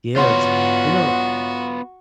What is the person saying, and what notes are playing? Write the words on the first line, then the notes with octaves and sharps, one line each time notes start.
Yeah, it's you know
B3 F4 F#4 C#5 C6